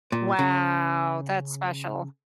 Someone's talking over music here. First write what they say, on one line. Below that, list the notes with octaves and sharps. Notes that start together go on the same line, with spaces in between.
Wow, that's special.
A#2
C#3